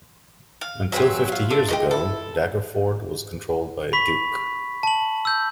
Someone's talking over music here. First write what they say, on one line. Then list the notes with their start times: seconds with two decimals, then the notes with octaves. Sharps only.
Until fifty years ago, Daggerford was controlled by a Duke.
0.61 F5
0.92 D#3 F#3 C4 G#4 B4 E5
1.29 F4 E5
1.51 D4 A4
1.68 G#3 G4 B4 D#5
1.91 E4 A4
3.93 B5 C#6 B6
4.83 A5 F#7
5.25 E6 G6